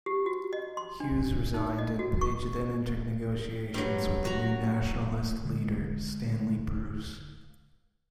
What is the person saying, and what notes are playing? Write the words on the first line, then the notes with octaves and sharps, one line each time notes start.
Hughes resigned, and Page then entered negotiations with the new Nationalist leader, Stanley Bruce.
G4
F#4
D#5
C6
D4
D#4
D#5
F#4
C#6
G2 F#3
F#4 A#5
D3 G#3